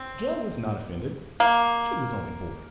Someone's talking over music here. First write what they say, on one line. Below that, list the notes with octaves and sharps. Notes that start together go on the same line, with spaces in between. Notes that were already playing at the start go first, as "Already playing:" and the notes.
Joe was not offended; she was only bored.
Already playing: C4
A#3